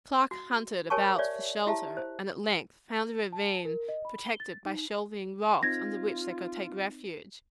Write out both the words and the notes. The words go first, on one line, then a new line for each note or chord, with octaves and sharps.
Clark hunted about for shelter, and at length found a ravine protected by shelving rocks under which they could take refuge.
F#4
G4 A#4 C#5 G#5 A5 C#6
C#5 D5 E5
E4 G4 E5 A5
C5
A5
A#4
D#5
B5
G7
A6
D#4
C4 D#4 F4 G#6 A#6